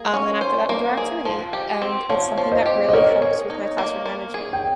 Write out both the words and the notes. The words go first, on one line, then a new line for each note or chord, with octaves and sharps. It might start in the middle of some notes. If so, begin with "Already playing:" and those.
um, then after that we do our activity. And, it's something that really helps with my classroom management.
Already playing: A#3 G#4
C#4
C5
A#3
G#4
F3
G4
C4
F3 C#5 F5
F3
C5 D#5
G4
D#5
A#3 A#4 C#5
G#4
D#4
A#3
A#3
G#4
G5